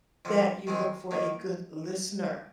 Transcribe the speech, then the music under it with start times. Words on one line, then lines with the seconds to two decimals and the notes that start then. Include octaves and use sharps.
that you look for a good listener.
0.25 F2 D3 F3
0.67 D#3 G#3 C4
1.11 D#3 A#3